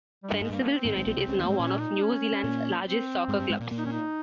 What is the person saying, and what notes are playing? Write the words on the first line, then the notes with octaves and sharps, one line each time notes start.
Fencibles United is now one of New Zealand's largest soccer clubs.
G3
G2 G#3
G#2
G2
A#3
C4
G#1 G#2
G#1 G#2
A#1 A#2
C2 C3
C#2 C#3
D#2 D#3
A#3
G#2 G#3 C4
A#2 A#3 C#4
D#4
C#4
A#2 A#3
C4
G#2 G#3
G2 G3
G#2 G#3
A#2 A#3
A#2 A#3
D#4
C#4
D#4